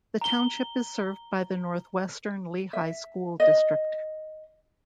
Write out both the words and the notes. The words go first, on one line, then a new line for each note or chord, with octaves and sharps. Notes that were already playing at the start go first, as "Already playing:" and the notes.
The Township is served by the Northwestern Lehigh School District.
A#5 G7
E5
D#5